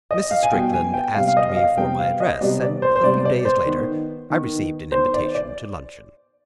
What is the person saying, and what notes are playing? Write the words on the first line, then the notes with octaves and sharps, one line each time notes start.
Mrs. Strickland asked me for my address, and a few days later I received an invitation to luncheon.
D#5
F5
G#5
B2 G3 B3 G5
G#5
G5
C3 G3 B3 F5
F5
D#5
F5
C3 G3 B3 G5
F5
D#5
C3 G3 B3 D5
D5
C5
C5
C3 G3 B3 D5
D5
C5
D#3 B3
D#3 B3
D#3 B3 C5
D5
D5